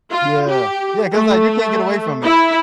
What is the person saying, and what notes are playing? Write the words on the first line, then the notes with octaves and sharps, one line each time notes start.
Yeah. Yeah, 'cause, like, you can't get away from it,
F4
G4
A3
E4